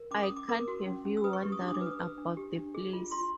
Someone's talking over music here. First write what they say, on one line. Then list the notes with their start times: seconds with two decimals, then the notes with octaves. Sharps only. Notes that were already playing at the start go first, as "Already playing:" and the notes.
I can't have you wandering about the place.
Already playing: A#4
0.11 C#4 D6
0.23 D#6
0.30 C#4
0.36 D6
0.49 A#4 D6
0.68 F#4
0.86 C#4
1.05 C#4
1.17 E6
1.24 B4 D#6
1.33 C#6
1.42 G4
1.52 D#6
1.61 D4 D6
1.68 D#6
1.75 D6
1.81 B4
1.86 D#6
1.99 B4 E6
2.18 D4
2.37 G4
2.55 D4
2.75 G#4
2.93 F4
3.11 F4 C6